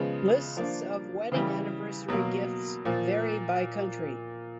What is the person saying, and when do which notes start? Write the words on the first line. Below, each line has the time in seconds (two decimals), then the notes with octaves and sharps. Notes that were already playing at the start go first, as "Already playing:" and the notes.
Lists of wedding anniversary gifts vary by country.
Already playing: C#3 F3 G#3 B3
0.57 F3 A#3 D4
1.32 C#3 E3 G3
2.08 B2 F#3 A#3
2.85 A#2 F3